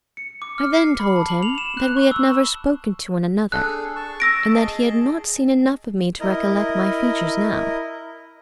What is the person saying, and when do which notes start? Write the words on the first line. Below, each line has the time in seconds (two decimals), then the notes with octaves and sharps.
I then told him that we had never spoken to one another, and that he had not seen enough of me to recollect my features now.
0.17 C#7
0.42 D6
0.58 F6
0.73 C7
1.00 B5
1.16 A5
1.29 F#7
1.43 F7
1.58 E7
1.77 F#6
1.97 C#6
2.11 E6
3.52 D4 G#4 A4 F#6
3.96 A5 C#6
4.20 E6 A#6 D7
4.54 G#4 D#5 A5
6.20 E4 A#4 D#5